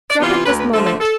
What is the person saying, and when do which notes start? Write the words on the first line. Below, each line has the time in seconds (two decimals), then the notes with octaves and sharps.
Drop it this moment!
0.10 D5
0.19 C3 E3 B3 F4
0.28 D5
0.46 D2 B4
0.60 B4
0.73 D3 F3 A3 A4
0.87 A4
1.01 A4